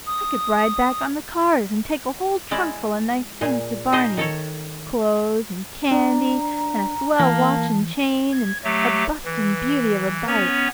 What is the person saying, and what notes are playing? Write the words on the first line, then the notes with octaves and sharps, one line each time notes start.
I could ride back on the cars and take a whole trunk full of nice things to Barney,--clothes, and candy, and a swell watch and chain, and a bustin' beauty of a bike.
D#6
G#3 E4 D5
A#2 G#4
D#4 G#4 C5 D#5
D#3 A4 C#5
D4 D5 A#5
E3 A#3 A5
G#6
F#3 A3 G4
E3
B3 C#4 C#5